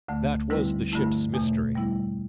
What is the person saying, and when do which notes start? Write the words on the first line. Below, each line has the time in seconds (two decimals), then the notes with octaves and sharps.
That was the ship's mystery.
0.08 D2 D3 A3
0.50 D3 G3 C4 E4 B4
0.92 G2 D3 A3 E4
1.34 E2 B2 A3
1.75 G3 B3 E4